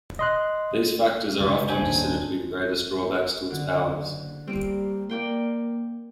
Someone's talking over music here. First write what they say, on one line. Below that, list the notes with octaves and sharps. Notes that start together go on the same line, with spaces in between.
These factors are often considered to be the greatest drawbacks to its powers.
D#5 C6 F#6
C#2 F#2 C3
D4 C5 G#5
D#1 G#1 D#2
F#1 D3
G3 A#3 C4
A#3 D5 G5 C6